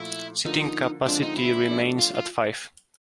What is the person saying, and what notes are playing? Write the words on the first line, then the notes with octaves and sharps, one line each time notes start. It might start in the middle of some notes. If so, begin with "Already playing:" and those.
Seating capacity remains at five.
Already playing: A#2 F3 A3 E4
D3 F3 A#3 D#4
D3 F3 G#3 C4 D4 F4
D#4
E4
F3 A3 D4
F4
F4